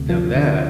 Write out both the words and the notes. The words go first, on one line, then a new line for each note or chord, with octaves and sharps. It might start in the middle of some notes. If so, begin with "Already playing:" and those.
Now that
Already playing: D2 C3
F3
D3